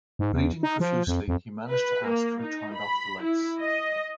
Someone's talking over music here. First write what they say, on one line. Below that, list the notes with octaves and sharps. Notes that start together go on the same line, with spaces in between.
Bleeding profusely, he managed to ask who turned off the lights?
G#2
E2
D#4
F3
F2
F2
B4
A#3
D#4
B5
E4
D#5